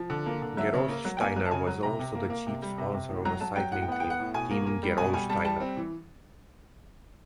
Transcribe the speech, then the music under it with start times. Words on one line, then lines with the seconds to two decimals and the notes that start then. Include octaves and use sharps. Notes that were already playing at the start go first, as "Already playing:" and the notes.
Gerolsteiner was also the chief sponsor of a cycling team, Team Gerolsteiner.
Already playing: F3
0.10 D3
0.26 A#3
0.42 D3
0.57 F#3 E5
0.73 C#3
0.88 A#3
1.05 F#3
1.17 G5
1.21 A#3 G#5
1.36 F#3
1.45 A5
1.51 C#3 G#5
1.67 F#3
1.83 C3 A#5
1.99 C3
2.15 A#3
2.30 A#3
2.46 C3
2.62 G3
2.78 C3
2.94 C3
3.09 A2
3.25 F#3 A#5
3.40 F#3 A5
3.56 F#3 G5
3.72 A2 F#5
3.82 G5
3.88 B3 F#5
4.00 B3 G5
4.10 F#5
4.19 A2
4.34 B2 G#5
4.51 A#3
4.66 A#3
4.83 G3
4.97 B2 G#5
5.14 G3 G#5
5.29 G3 A5
5.44 G3 A5
5.60 C4
5.77 E3